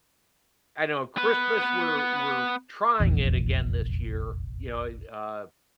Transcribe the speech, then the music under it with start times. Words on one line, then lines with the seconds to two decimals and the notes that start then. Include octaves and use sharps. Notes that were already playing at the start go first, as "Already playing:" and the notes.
I know Christmas, we're we're trying it again this year, you know, it, uh
1.17 B3 B4
3.00 F1 A#1 E2